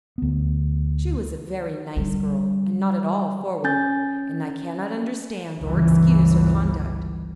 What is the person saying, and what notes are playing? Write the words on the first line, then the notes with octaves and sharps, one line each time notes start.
She was a very nice girl and not at all forward, and I cannot understand or excuse her conduct.
D2 B3
D3 G3
C#4 G#5 G6 A6
G1 C#2 E3